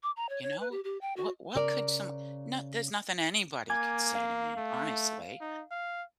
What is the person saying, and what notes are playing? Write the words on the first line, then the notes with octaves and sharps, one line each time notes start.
you know, what what could some no, there's nothing anybody could say to me, honestly.
D6
A#5
C#5
C#5
B4
G4
G4
G5
F#4
C#3 A#4 D5
A#3 G#5 D6 G#6
F5
A3
D#4
F5